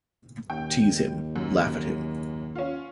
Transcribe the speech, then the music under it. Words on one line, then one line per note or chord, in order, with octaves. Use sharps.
Tease him — laugh at him.
D#2 G5
F#2
C#4 F4